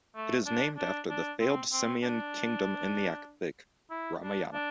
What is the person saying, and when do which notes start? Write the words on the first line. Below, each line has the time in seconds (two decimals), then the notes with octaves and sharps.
It is named after the fabled simian kingdom in the epic - Ramayana.
0.16 A3
0.46 D4
0.78 D4
1.10 D4
1.40 C4
1.73 C4
2.03 D4
3.91 E4
4.23 D4
4.53 D4